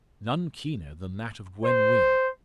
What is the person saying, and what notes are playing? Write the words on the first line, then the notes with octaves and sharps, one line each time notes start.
None keener than that of Gwen Wynn.
C5